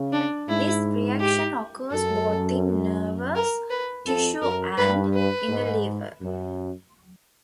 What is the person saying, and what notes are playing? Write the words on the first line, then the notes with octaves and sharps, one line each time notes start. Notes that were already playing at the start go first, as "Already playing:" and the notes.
This reaction occurs both in nervous tissue and in the liver.
Already playing: C#3
D4
G#2 E4
G4
F#2 A4
A#4
B4
F2 A4
F#2 A#4
G2 B4
B4
G#2
F#2